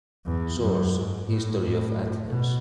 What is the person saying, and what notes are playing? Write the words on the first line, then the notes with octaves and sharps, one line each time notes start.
Source: History of Athens.
E2
F#2
G#2
A2
A2
B2